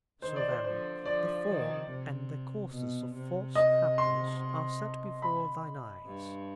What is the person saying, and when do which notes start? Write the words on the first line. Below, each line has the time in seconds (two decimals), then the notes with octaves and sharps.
'So, then, the form and the causes of false happiness are set before thine eyes.
0.22 D#3 C5
0.36 D5
0.50 C5
0.64 D3 F3 C5
1.05 D3 F3 D5
1.48 D#3
1.89 C3
2.73 B2
3.14 C3
3.55 D#5
3.98 C6
5.22 B5
6.06 G2